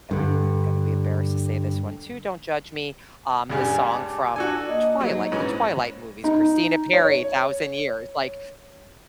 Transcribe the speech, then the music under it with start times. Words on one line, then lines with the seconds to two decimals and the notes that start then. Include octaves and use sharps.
and I'm I'm gonna be embarrassed to say this one too, don't judge me, um, the song from Twilight, the Twilight movies, Christina Perri, Thousand Years, like,
0.11 G2 D3
3.50 C#2 G2 C#3 D5 G#5
3.90 A5 D6
4.36 D4 F#4 A4 G#5
4.69 A#3 D#5
5.01 F#3 D#4
5.32 G#2 E3 C#4
6.24 D#4
6.93 C#5